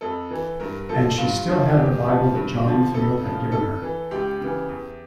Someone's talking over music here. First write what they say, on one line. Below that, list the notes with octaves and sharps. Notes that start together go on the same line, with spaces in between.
And she still had the Bible that John Field had given her.
F2 A4
E3
G2 A#4
F3 A4
G2 F4
D3 F3
E2 G4
C#3 F3
G2
D3 F3
F2 A4
C#3 F3
F2 A4
E3
C#2 G4
C#3 E3
E2